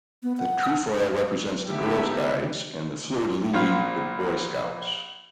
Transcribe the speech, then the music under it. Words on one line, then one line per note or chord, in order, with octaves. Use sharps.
The trefoil represents the Girl Guides and the fleur-de-lis the Boy Scouts.
B3
F#5
D3 B3 D#4 G4 E5
A#1 F4